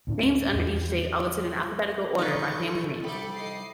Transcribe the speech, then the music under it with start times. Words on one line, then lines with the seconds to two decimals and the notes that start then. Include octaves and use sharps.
Names under each date are listed in alphabetical order by family name.
0.07 D2 A2 C#4 D4
0.55 E2
2.19 C#4 D#4 A4 B4 C#6 G6
3.04 C2 G3 B5 D6 C#7
3.36 D#5 D6 C7